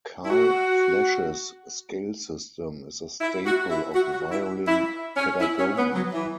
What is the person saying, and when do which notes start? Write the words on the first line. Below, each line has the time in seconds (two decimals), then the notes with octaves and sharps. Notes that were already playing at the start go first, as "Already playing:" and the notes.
Carl Flesch's "Scale System" is a staple of violin pedagogy.
0.25 E4
0.30 F#4
3.21 E4
3.46 F#4
3.70 E4
3.94 F#4
4.12 F#4
4.31 E4
4.67 E4
5.16 C#4
5.40 E4
5.58 C#4
5.77 B3
5.95 F#3
6.13 E3